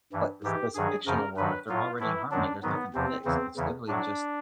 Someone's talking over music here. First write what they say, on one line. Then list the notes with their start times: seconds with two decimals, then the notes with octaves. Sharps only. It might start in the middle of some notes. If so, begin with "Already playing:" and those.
but this this fictional world, if they're already in harmony, there's nothing to fix. It's literally just
0.13 G2 E3
0.44 G#2 E3 G4
0.75 G2 D#3 F#3 G#4
1.06 F#2 C#3 F3 A#4
1.37 G2 D#3 F#3 B4
1.69 A2 F#3 F4
2.00 A2 E3 E4
2.31 F#2 D#3 F#3 D4
2.63 G#2 D#3 F#3 B3
2.94 E2 C3 F3 C4
3.25 E2 C#3 E3 C4
3.57 E2 C#3 E3
3.88 A2 F#3 D4